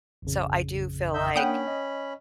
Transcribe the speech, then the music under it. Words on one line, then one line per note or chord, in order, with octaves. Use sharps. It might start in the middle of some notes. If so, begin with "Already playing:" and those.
So, I do feel like
A1 F2 C#3
D#4 E5 G6
A#3 C#4 D4 F#5 G5 B5 D#6
D#5